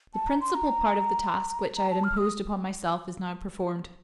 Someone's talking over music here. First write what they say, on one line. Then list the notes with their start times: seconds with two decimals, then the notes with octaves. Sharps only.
The principal part of the task which I had imposed upon myself is now performed.
0.14 A5
0.28 A#5
0.41 C6
0.55 A#5
1.77 A#5
1.91 A5
2.04 F6
2.17 D#6